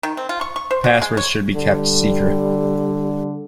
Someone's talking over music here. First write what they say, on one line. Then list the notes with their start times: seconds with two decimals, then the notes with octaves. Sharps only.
Passwords should be kept secret.
0.03 D#3
0.17 C4
0.29 F4
0.41 C#6
0.56 C#6
0.71 C5
0.84 F#4
1.02 G#3
1.17 C#5
1.56 D3 G3